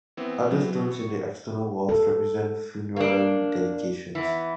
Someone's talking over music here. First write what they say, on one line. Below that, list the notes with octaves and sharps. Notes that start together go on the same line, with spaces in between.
Other stones in the external walls represent funerary dedications.
E3 B3 C4
F#3
C#6
A4
A#3 D4
E3 B3